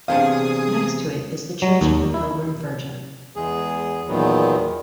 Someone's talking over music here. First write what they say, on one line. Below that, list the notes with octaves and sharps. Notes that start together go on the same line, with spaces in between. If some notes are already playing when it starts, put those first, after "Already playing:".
Next to it is the church of the Pilgrim Virgin.
E2 C3 D4 G#4 F5 D#6
F#3
D#2
E4
E2 G#3 G#4
E2 A#2 D#3 F#3 B3